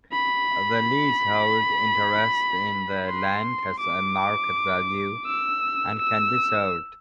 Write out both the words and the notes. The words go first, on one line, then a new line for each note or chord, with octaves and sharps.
The leasehold interest in the land has a market value and can be sold.
B5
C6
D6
E6
E6